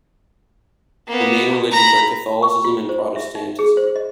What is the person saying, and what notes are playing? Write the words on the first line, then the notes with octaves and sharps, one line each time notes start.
The main religions are Catholicism and Protestantism.
A#3 B3
A#5 B5
C#6
F4
C5
E5
D#4
G#4
C5
D#5